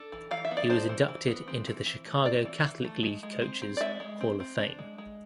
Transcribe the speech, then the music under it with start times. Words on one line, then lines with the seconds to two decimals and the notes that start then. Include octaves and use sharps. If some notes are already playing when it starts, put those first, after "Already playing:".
He was inducted into the Chicago Catholic League Coaches Hall of Fame.
Already playing: D4 A4
0.12 E3
0.31 E3 F5
0.45 E5
0.51 B3
0.57 D5
0.69 D4 C5
0.89 E3
1.08 E3
1.28 B3
1.48 C4
1.67 E3
1.86 E3
2.06 A3
2.25 C4 D5
2.45 E3
2.65 E3
2.85 A3
3.03 G#3
3.23 G#3
3.42 C4
3.62 C4
3.77 D5
3.80 G#3 E5
4.00 G#3
4.21 C4
4.40 C4
4.58 D4
4.79 G#3
4.98 G#3